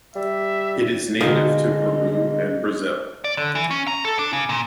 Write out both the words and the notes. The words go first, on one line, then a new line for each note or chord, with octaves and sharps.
It is native to Peru and Brazil.
G3 E5
D3 D#3 G#3 A#4 D#5 F5
D5
D3
E3
C#4
A#5
A4
D4
C#3
A#2